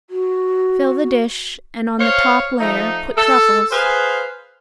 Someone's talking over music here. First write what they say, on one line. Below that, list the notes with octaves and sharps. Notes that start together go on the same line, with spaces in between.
Fill the dish and on the top layer put truffles.
F#4
C5 C#5 F5
F3 A3 D#4
A4
G#4 B4 C5 F5